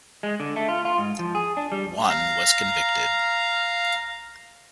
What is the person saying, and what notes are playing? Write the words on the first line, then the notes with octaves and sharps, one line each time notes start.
One was convicted.
G#3
D3
A3
F4
F4
G#2
F3
G#4
D4
G3
F5 A#5